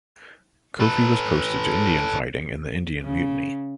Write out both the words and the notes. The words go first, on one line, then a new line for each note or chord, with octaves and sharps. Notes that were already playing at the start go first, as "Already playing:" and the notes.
Coffey was posted to Indian fighting in the Indian Mutiny.
A4 B4
C#3